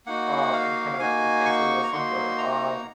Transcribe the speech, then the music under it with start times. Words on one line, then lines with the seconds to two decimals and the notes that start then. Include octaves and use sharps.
um, and kind of it makes it a little simpler. Um,
0.06 A#3 D#4 F#4 F#5
0.53 F5
0.99 A#3 D#4 F#4 G#5
1.45 C#6
1.84 A#5
1.92 A#3 D#4 F#4 C6
2.38 A#5